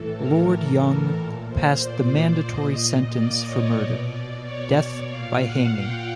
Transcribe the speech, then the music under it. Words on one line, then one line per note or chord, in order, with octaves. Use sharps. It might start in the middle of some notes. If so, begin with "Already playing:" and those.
Lord Young passed the mandatory sentence for murder: death by hanging.
Already playing: A2 E3 A4
A#4
A#2
C5
D5
D5
A#2 D#5
D#5
D5
C#5
B2 D5
D5
C#5
A#2 F5
F#5
G5